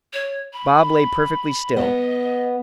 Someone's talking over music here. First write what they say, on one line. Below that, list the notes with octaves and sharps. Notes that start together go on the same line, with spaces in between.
Bob lay perfectly still.
C#5
B5
B3 D#5